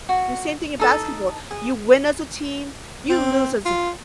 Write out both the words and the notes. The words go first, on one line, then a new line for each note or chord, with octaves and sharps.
The same thing in basketball, you win as a team, you lose as a
F#4
D#4 A4 A5
G#4
C4
F4